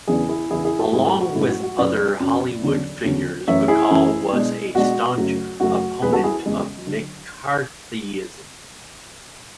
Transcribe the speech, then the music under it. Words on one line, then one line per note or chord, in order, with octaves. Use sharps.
Along with other Hollywood figures, Bacall was a staunch opponent of McCarthyism.
E2 C#3 E3 B3 D4 E4 G#4
E4 G#4
E2 C#3 E3 B3 D4 E4 G#4
E4 G#4
F#4 A4
G#2 F#3 A3 C#4 E4 G#4
F#4 A4
F#4
G#2 F#3 A3 C#4 E4
F#4
F#4
F#2 C#3 F#3 C#4 B4 D5
F#2 C#3 F#3 C#4
E2 D3 F#3 C#4
E2 D3 F#3 C#4
F#2 E3 A3 C#4 C#5 E5
E4 G#4
F#2 E3 A3 C#4
B2 G#3 D4
B2 G#3 D4 F#4
F#2 C#3 F#3 A3
F#2 C#3 F#3 A3 F#4
E2 C#3 G#3 C#4 G#4 B4
F#4 A4
E4 G#4
E2 C#3 G#3 C#4
D3 F#3